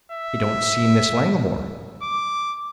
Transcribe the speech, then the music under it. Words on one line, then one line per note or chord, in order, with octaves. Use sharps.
"I don't see Miss Langmore."
E5
D6